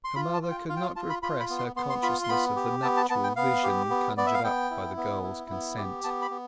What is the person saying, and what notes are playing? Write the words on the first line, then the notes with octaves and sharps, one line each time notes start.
Her mother could not repress her consciousness of the nuptial vision conjured up by the girl's consent.
C6
F4 B5
A5
F4
G5
F4 F5
G5
F5
F4 A5
B5
F4 B5
B5
B3
C6
B3 C6
C6
F4 B5
C6
B3 B5
G4
B3 A5
A5
B3 A5
G5
B3 F5
G4
B3
B3 D5
E5
F5
B3 G5
E4
B3
E4
B3
G4
B3 A5
B5
B3